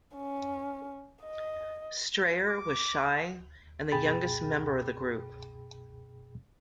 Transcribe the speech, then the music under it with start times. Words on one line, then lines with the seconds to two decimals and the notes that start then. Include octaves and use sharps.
Strayer was shy, and the youngest member of the group.
0.15 C#4
1.24 D#5
2.49 D6
3.92 F#2 B2 G#4 G5 B5 A6